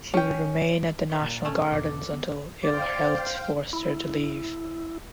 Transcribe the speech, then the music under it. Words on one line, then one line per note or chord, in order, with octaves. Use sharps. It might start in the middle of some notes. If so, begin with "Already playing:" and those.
She would remain at the National Gardens until ill health forced her to leave.
C#4 G5
C#4 B4 E5
A#2 A#4 A5
A3 C#4
E2 B2 D4 A4 A#4
B3
C5 D5 F5 G5
E4